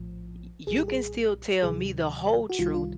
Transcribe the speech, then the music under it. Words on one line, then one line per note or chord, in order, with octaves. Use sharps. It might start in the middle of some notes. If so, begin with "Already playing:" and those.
y you can still tell me the whole truth,
Already playing: A#1 A2 F3
B1 A#2 G3 G#4
G4
G#4
D2 C3 D#3 F#3 G#4
F#4
C2 C3 D#3 G3 F4
F4